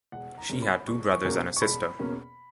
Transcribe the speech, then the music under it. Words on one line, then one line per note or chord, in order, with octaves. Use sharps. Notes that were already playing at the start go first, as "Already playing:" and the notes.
She had two brothers and a sister.
E1 F#5
A#5
E2 B2 A#3 C#4
B5
E1 C#6
C#6
E2 B2 A#3 C#4
C#6
E1 B5
E2 B2 A#3 C#4